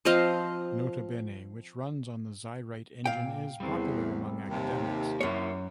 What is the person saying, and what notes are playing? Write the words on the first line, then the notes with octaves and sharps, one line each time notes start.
Nota Bene, which runs on the XyWrite engine, is popular among academics.
F3 C4 D#5 F5
A#2 F5 G5
E2 G3 C4
D#2 C3
F#2 A#3 E4 C#5